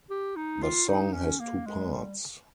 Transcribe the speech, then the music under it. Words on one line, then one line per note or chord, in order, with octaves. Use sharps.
The song has two parts.
G4
D#4
F4
D#4
C#4
A#3
G#3
G3